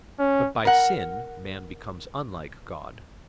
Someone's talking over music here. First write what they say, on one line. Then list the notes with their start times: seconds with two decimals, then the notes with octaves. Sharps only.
But by sin man becomes unlike God.
0.19 C#4
0.65 A#4 F#5